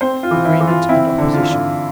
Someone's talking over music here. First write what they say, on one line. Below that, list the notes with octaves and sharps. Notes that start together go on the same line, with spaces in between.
Agreement and Opposition.
C4 C5
F4
E3
E4
E3
F4
C4 E4
D3
F4
D3